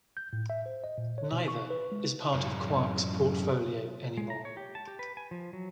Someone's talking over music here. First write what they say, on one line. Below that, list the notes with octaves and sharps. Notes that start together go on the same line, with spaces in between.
Neither is part of Quark's portfolio anymore.
G6
A2
E5
C5
D#5
A#2
C#5
B2
C#6
B4
G#3
F#2 A2
G#3
A#5
C#5
G4
A5
G4
B4
G#5
F3
F#3